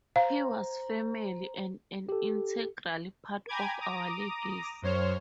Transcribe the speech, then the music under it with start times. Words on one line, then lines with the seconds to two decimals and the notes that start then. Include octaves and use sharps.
He was family, and an integral part of our legacy.
0.16 C5 F5 A#5
2.09 G4 A4
3.48 G5 G#5 A#5 B5 D6 G#6
3.81 A#5 D6 D#6
4.82 F#2 C5 C#5 F6